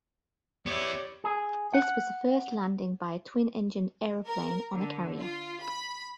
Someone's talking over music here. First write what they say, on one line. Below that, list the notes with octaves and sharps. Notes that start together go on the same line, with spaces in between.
This was the first landing by a twin-engined aeroplane on a carrier.
B3 E4 G4 C#5 D5
G#4
F#5
A#4
D3
F4
B5